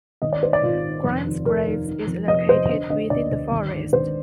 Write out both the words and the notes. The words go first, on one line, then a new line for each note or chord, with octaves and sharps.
Grimes Graves is located within the forest.
G#1 D#5
D5
G#2 C5
D5
G#1 F4
D#3
F1
D#2
F1 A#4
D#3
D#3
F2
F1 D#5
C3 C5
D3 D#5
D3 D#5
D2 D5
D2
G#1
G#2
G#1 C5